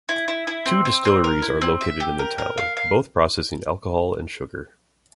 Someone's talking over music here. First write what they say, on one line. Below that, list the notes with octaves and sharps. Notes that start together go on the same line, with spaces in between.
Two destillaries are located in the town, both processing alcohol and sugar.
E4
E4
E4
C4
C4
C4
A#4
E4
C4
E5
G4
A#4
A#4
F5
F5